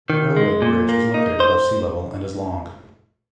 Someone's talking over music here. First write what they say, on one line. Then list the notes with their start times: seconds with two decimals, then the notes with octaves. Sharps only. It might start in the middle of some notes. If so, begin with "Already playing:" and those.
The railway bridge is located above sea level and is long.
0.10 D#3
0.36 G#3
0.62 A#2
0.89 A#3
1.14 D#4
1.40 C5